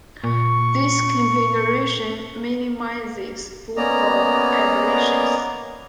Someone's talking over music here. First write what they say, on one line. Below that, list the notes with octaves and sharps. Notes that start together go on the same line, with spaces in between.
This configuration minimises focal aberrations.
A#2 C#6
A#3 B3 C#4 D5 D#5 A#5